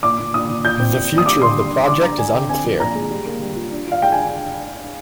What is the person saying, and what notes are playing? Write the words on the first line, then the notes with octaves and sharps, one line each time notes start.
The future of the project is unclear.
A#2 D6
A#2
A#2 D#6
A#2
F4 G6
C4
A#2
A#2
D#6
G3 D6
D3 C6
G3
G3
D4 D6
D3 A#5
D4 G#5
D3 G5
C4 G#5
F3
A#2 A#5
G#3
G3
A#3
G3
F4
D4
F4 F5
G#3 G5
G#5